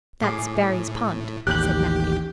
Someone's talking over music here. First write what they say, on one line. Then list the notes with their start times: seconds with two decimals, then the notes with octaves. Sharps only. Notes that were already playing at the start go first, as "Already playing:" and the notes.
"That's Barry's pond," said Matthew.
0.22 A2 G#4 D6 C7
1.47 A1 D#2 G4 F#6 G6 F#7